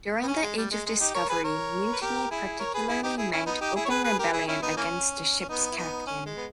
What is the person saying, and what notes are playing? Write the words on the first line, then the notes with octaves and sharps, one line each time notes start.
During the Age of Discovery, mutiny particularly meant open rebellion against a ship's captain.
B3
C#4
G#3
G3
G#3
G#3
D#4 G4
A#4 C#5
G#4 B4
A#4 C#5
B4
G4 A#4
E4 G#4
A#4 C#5
G#4 B4
E4 G#4
D#4 G4
E4 G#4
C#4 E4
B3 D#4
D#4 G4
E4 G#4
C#5
G#4 B4
G#4 B4
G4 A#4
E4 G#4
C#4 E4
B3 D#4
E3 A#3 C#4
C#4
B3 D#4
E4
B3 D#4
C#4
G#3
B3